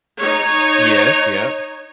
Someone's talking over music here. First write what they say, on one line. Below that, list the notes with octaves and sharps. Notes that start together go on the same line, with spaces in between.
Yes, yep.
D#4 C#5